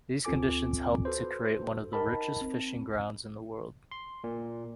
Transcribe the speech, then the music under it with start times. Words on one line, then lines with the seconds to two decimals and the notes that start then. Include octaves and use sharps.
These conditions helped to create one of the richest fishing grounds in the world.
0.25 D2 C4 F4 A4 G#5 D6
1.05 F#4 A4 B4 C5
1.93 D#4 A#4 D#5 G5 A5 B5
2.41 C4
3.91 C6
4.24 A#2